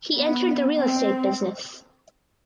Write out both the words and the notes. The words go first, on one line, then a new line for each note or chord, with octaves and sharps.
He entered the real estate business.
B3
C4